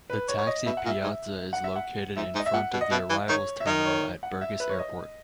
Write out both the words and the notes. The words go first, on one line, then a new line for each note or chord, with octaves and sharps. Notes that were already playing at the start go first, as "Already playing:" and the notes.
The Taxi Piazza is located in front of the Arrivals Terminal at Burgas Airport.
B4
C#5
C#5
D#5
B2 E5
F#5
A#2
E5
G#2
F#5
E5
F#5
G#2 E5
G#2
D#5
E5
A#2 F#5
B2
D#5
B2 E5
E3
D#3 C#5
E5
D#3 D#5
C#5
F#5
E5
B4
C#5
D#5